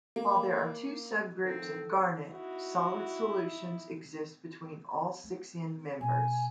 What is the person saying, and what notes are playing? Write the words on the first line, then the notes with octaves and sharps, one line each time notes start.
While there are two subgroups of garnet, solid solutions exist between all six end-members.
A#3
A2 D#3 F3 C4 A4 A#4
D#4 E4 F#4
A3
B2 G#5